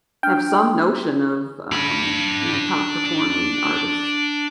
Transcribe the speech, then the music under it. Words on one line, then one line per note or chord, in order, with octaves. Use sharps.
have some notion of, um, you know, top performing artists.
D4 G5 F6
D4 B5